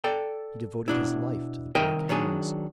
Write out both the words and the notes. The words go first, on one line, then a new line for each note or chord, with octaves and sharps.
He devoted his life to the Brake Hounds.
A4 D5 G5
B2 D4 E4
C2 D#3 A#4 D#5 E5 G5
D#3 F#3 D4 G#4